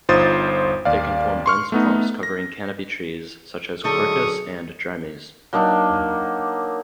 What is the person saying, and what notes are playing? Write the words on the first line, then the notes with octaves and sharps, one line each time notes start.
They can form dense clumps covering canopy trees such as "Quercus" and "Drimys".
G1 D#4 F4 C5 D#6 A6
D#2 D5 F5
C6 C#6 F6
A3 B3 D#4
A#6
D3 F#3 D#4 G#4 A4 C#6 D#6
F#3 A#3 D4 D#4